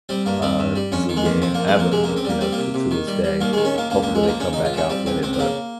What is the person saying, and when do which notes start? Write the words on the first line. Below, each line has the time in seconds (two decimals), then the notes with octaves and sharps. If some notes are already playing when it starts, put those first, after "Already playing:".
uh, Z game ever, you know, c to this day. Hopefully, they come back out with it, but
0.09 G3 C4
0.26 G2 A#3
0.42 G3 C4
0.59 G2
0.76 G3
0.92 F2 C#4
1.09 D#3
1.16 G#3
1.25 F2 A#3
1.42 F2 C4
1.54 A#3
1.59 F2
1.67 G#3
1.75 F2 A#3
1.92 C3 G#3
2.03 A#3
2.08 C#2
2.17 C4
2.25 G3 A#3
2.41 G3 C4
2.52 A#3
2.58 C3
2.74 C3
2.91 D#3
3.07 G3
3.24 G3
3.41 D#2 A#3
3.53 G#3
3.57 D#3
3.65 C#4
3.73 D#2 A#3
3.90 C#2 A#3
4.03 A#3
4.07 C#2
4.15 G#3
4.23 F3 A#3
4.40 C#3 C#4
4.53 C#2 D#4
4.65 F4
4.73 F3 C#4
4.89 G3 C4
5.06 C#2 C4
5.22 C#2 C4
5.33 C4
5.39 C#3 A#3